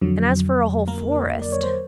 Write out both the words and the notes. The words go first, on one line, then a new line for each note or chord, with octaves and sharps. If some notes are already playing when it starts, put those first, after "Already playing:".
And as for a whole forest--!
F2 D3 F#3
A#3 A#4
D5
C#5
C5